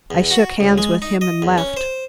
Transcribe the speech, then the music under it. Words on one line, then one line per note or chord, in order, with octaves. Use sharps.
I shook hands with him and left.
E2
F#4
C#2
G#3
D#4
D#5
E2
C#4
C5